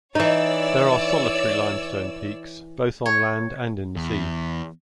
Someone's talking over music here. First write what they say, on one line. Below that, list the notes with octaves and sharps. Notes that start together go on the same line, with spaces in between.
There are solitary limestone peaks, both on land and in the sea.
E3 D#4 C#5 D5 E6
C#5
E2